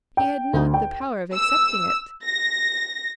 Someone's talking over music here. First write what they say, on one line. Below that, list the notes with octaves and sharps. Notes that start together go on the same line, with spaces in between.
He had not the power of accepting it.
G5
D2
G5
E6
A#6